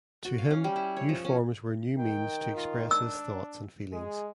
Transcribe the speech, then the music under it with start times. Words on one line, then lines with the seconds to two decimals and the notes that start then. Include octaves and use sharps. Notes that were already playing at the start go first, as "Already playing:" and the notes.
To him, new forms were new means to express his thoughts and feelings.
0.25 F#4
0.38 F5
0.51 C#4
0.64 G3
0.76 E4
0.97 C#5
1.09 F3
1.25 C#4
1.98 D#3 G5
2.56 F4
2.91 D4 E6
3.93 G#3 G#4